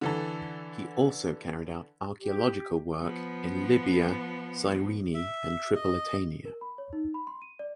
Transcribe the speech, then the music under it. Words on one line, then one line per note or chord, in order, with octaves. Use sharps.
He also carried out archaeological work in Libya, Cyrene and Tripolitania.
D3 E3 A4
G4
F3 B3
E5
D#5
A#4
B5
C#5
D#4
B5
C6
D#7
D5